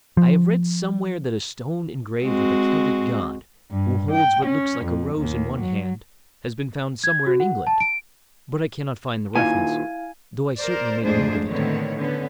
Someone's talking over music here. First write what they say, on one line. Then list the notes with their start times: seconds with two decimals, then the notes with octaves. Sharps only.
I have read somewhere that a stone engraved with a Celtic god, who holds what looks like a rose in one hand, has been found somewhere in England; but I cannot find the reference, though I certainly made a note of it.
0.17 F3
2.22 G#3 C4 F#4
3.71 G2
4.11 G5
4.46 C#4
4.85 F2
5.16 D#2
5.60 F#3
7.04 G#6
7.27 F#4
7.40 F#5
7.67 A5
7.80 D7
9.35 D#2 A#2 E4 F5 G#5
10.57 A#4 C5 D5
11.04 F2 G#2 A3 D4 G#4 C5
11.48 A2 D3 D#3 B3 C4 C#5
11.97 D3 B3 C#4